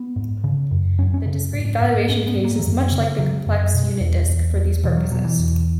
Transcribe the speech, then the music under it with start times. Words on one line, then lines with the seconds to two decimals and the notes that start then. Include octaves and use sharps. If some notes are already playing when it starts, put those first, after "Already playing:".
The discrete valuation case is much like the complex unit disk, for these purposes.
Already playing: B3
0.16 G#2
0.44 C#3
0.71 F#2
0.99 F#2 C#4
1.14 C#4
1.26 C#3
1.53 G#2
1.81 G#2
2.09 G#2 C#4
2.27 B3
2.36 G#2
2.45 A#3
2.59 E3
2.64 F#2 F#3
2.91 C#3
3.19 C#3 F#3
3.46 F#2
3.74 B2
4.00 E2
4.29 E2
4.56 E2
4.83 B2 E3
4.97 F#3
5.11 B2 F#3
5.25 E3
5.39 E2